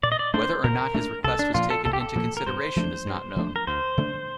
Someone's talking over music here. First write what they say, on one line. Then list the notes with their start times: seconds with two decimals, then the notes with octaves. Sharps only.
Whether or not his request was taken into consideration is not known.
0.03 A#2 D5
0.12 D#5
0.19 D5
0.34 A3 D4 C5
0.64 A#2 A#4
0.94 A3 D4
1.24 C2 A4
1.39 D4
1.54 A#2 F3 A#3 F4
1.70 A4
1.85 C2 A4
1.93 G4
2.01 A4
2.15 A#2 F3 A#3
2.37 A#4
2.46 G2 C5
2.76 F3 A3 D4
3.06 G2
3.36 F3 A3 D4
3.56 A#4
3.67 D2 C5
3.98 D3 A3 D4